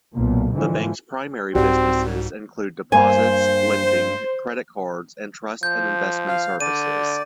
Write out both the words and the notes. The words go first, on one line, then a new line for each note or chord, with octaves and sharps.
The bank's primary businesses include deposits, lending, credit cards, and trust and investment services.
B1 A#2
G#2 D3 E3 F3
C2 G#2 C4 F#4 G4 D5
G2 A#3 C5 G#5
F3 G6
F5
D3 D5 D#7